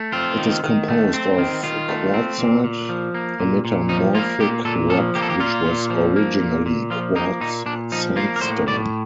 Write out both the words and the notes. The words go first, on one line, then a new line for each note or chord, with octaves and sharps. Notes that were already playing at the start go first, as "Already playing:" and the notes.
It is composed of Quartzite, a metamorphic rock which was originally quartz sandstone.
Already playing: A3
C4 F4
D#3
D#3
A3
C4
D#3
D#3 F4
A3
C4
A#2
A#2
F3
A#3
A#2
A#2
F3 D#4
A#3 F4
A#2 G4
A#2 A4
F3 A4
A#3 G4
A4
G4
A#2 F4
A#2
F3
A#3
A#2
A#2
F3 F4
A#3 D#4
A#2 D#4
A#2 D4
F3 D#4
A#3 F4
A#4
A2 C5
A2 D5